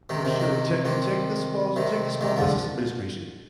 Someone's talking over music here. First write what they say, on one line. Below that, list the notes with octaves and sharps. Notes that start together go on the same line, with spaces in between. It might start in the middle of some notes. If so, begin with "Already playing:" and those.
For sure, check and check the small check the small business administration,
C3 D#3
C3 D#3
C3 D#3
C3 D#3
C3 D#3
C3 D#3
D3 F3